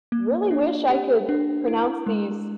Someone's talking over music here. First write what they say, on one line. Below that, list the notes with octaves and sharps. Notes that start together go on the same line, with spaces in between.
"Really wish I could pronounce these
A#3
D4
G4
D4
E4
G#3